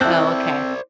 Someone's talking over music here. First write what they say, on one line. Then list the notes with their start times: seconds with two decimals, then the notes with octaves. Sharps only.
Oh, okay.
0.01 C4 E4 A4 C5 D5 F#6